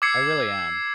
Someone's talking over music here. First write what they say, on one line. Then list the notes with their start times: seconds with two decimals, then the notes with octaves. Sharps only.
I really am.
0.02 D6 E6 G#6 C7 C#7